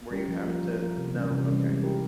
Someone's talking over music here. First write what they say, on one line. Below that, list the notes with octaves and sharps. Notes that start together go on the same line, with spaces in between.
Where you have to No? Okay.
G3 C#4 G4 A#4
F3
A#3 F4 A#4
F3
A#3 F4 A#4
C3
E3 G3 C#4
C3
E3 G3 C#4
G#3
E4 G4 A#4